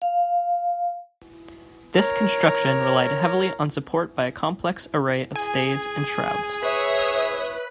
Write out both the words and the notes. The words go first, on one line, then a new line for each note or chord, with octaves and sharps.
This construction relied heavily on support by a complex array of stays and shrouds.
F5
A#4 C#5
G#4 G#5
B4 C#5 E5 D#6